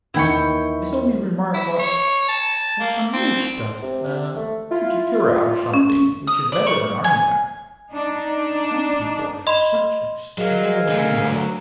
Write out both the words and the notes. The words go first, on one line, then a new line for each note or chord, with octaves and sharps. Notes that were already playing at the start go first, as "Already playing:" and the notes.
His only remark was, "There's some new stuff, cuticura or something, which is better than arnica." Some people have such extraordinary notions of humor.
D#2 D#3 E3 E4 G5 C#6
E4
C#5
A5
A#3
C4
C3
A3
E4 F4
C#4
D#6
D5
C#6
G#5
D4 D#4
D#5 B5 C6
F#3 G#3 A#4 F5 G#5
D3 A3
F#3 F#4